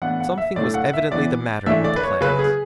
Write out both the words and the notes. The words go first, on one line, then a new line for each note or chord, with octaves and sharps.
Something was evidently the matter with the planet.
A2 E3 B3 D4 F#5
F#5
E5
A2 F#3 A3 D4 D5
F#5
E5
E3 B3 D4 D5
E3 A3 D4 E5
D5
B4
C#5
C#3 F#3 C#4 B4
G#4